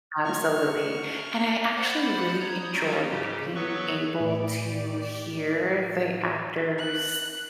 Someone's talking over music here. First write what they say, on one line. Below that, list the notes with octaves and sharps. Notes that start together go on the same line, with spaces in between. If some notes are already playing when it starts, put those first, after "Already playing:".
absolutely, and I actually really enjoyed being able to hear the actors'
F#3 A#3 E4 C#6 F6
C5 D5 F#5 B5 F#6
A#5 D#6 G6 G#6
F#3 G3 C#4 D#4 F4 F#4
G#2 C#3 G4
F#3 B3 A4 B4 C#6
A2 G4 D5
F#6